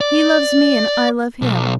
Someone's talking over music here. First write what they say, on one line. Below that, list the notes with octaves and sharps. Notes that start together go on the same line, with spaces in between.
He loves me and I love him.
D5
B1